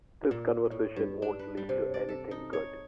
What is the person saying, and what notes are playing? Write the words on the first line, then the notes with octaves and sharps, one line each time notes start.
This conversation won’t lead to anything good.
A#2
A2
G2
D4
B4
G3
C3
D5
A4
D#4
C#5